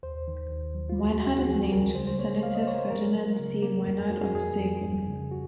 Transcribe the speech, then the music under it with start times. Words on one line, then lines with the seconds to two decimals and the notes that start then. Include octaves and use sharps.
Weinert is named for Senator Ferdinand C. Weinert of Seguin.
0.03 D#2 C5
0.28 D#3
0.51 D#2
0.75 F#3
0.89 F4
0.99 C#2 F#4
1.13 G#4
1.23 C#2 F#4
1.38 F#4
1.47 F3 G#4
1.72 C#2 A#4
1.95 C#3 C5
2.07 C5
2.19 A#3 C#5
2.43 A#3 F5
2.55 D#5
2.62 C5
2.67 A#3 C#5
2.74 A#4
2.78 C5
2.90 F#3 A#4
3.15 F#3
3.39 C#3
3.62 A#3
3.87 F2 A#4
3.98 G#4
4.10 F2 F#4
4.21 G#4
4.34 F2 G#4
4.59 F2
4.82 F2
5.07 C#3
5.31 F#4